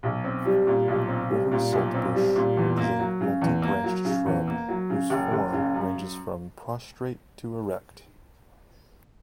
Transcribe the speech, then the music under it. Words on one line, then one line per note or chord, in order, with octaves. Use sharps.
River saltbush is a multi-branched shrub whose form ranges from prostrate to erect.
B1
C4
G3
A#2
B1
C4
G3
A#2
B1
C4
G3
A#2
E2
A#3
F#3
C#3
E2
A#3
F#3
C#3
E2
A#3
F#3
C#3
F#1
F#1
C#3
F#2